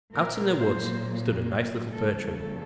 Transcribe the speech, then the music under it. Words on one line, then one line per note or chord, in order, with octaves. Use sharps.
Out in the woods stood a nice little Fir Tree.
A#2 F#3 A#3 A#4
C5
F2 C#3 E3 G3 A#3 A4
A4